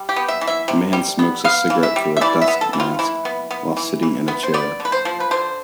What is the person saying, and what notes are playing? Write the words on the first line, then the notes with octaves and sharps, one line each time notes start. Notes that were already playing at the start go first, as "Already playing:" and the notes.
A man smokes a cigarette through a dusk mask while sitting in a chair.
Already playing: G3
G4
B3
E5
E3
E5
C3
G3
B3
B3 F5
E3
E5
G3
E5
E3 D5
E5
B3
A4
E3
F4
E3 E4
B3
B3
E3
E3
B3
C5
B3 D5
D3
B4
C5
F3
B4
D3 C5